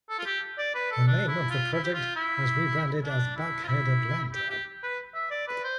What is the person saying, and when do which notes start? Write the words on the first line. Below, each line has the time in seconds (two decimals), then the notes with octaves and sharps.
The name of the project was rebranded as 'Buckhead Atlanta'.
0.10 A4
0.18 F4
0.25 G4
0.58 D5
0.74 B4
0.91 A4
1.07 D4
1.28 E4
1.50 F4
1.73 E4
1.83 G4
1.94 F4
2.15 E4
3.03 D4
3.36 E4
3.64 F4
3.67 E4
4.33 G4
4.50 G4
4.83 B4
5.14 E5
5.31 D5
5.48 B4
5.64 C5